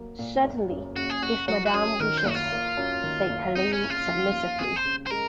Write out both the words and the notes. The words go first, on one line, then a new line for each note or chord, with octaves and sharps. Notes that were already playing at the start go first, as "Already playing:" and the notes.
"Certainly, if madame wishes," said Helene submissively.
Already playing: F#3 A#3
A#2
F#1
F#2
C#3 F#4
G#4
F#1 F#4
F#3 F#4
F#4
F#2 G#4
D#3 A#4
C5
F#1 F#4
F4
A#3
F#2
D#3
F#1
C4 D#4
C#4
C#3
F4
F3
D#2
C4 G#4
C5
C#3
C5
G#3 A#4